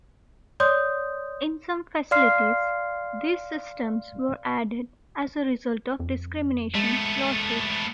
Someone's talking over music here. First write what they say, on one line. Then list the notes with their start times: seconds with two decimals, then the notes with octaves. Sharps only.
In some facilities, these systems were added as a result of discrimination lawsuits.
0.60 C#5 D5 C6 D#6 G6
2.11 D5 F5 C6 F6 C7
6.00 F2
6.75 G#3 A3 B3